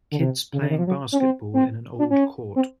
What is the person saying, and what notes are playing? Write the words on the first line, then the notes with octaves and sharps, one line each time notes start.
Kids playing basketball in an old court.
D3
C3
C#3
D3
D#3
F3
F#3
C#4
C4
C4
D4
C#4
C4